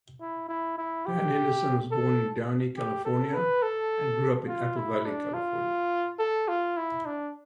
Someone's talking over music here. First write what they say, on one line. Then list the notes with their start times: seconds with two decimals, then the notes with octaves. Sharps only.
Dan Henderson was born in Downey, California and grew up in Apple Valley, California.
0.21 E4
0.49 E4
0.78 E4
1.06 G4
1.91 A4
2.77 G4
3.05 A4
3.34 B4
3.63 A4
4.48 F4
4.77 E4
5.06 D4
5.34 F4
6.19 A4
6.48 F4
6.77 E4
7.06 D4